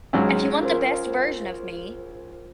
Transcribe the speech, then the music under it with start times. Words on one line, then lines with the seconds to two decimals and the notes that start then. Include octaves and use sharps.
if you want the best version of me,
0.13 C#2 G#2 F#3
0.61 F4 A#4 C5